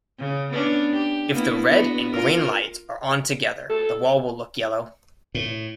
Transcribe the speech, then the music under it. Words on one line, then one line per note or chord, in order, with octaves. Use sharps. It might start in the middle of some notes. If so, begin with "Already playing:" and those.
If the red and green lights are on together, the wall will look yellow.
C#3
B3 C#4 D4
G4
A#3 B3 E4
B3 D4 F#4
F4 A#4
A4
A2